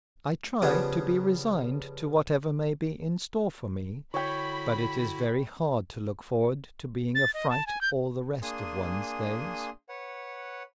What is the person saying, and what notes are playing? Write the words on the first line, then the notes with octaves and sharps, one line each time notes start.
I try to be resigned to whatever may be in store for me, but it is very hard to look forward to being a fright all the rest of one's days.
C#3 F3 G3 B3 G#4
D3 E4 F#4 C#5 G5 B5
A6
D#5
A5
G#5
G6
A#3 D4 G#4 G#5 C6 D#6
B4 C#5 F#5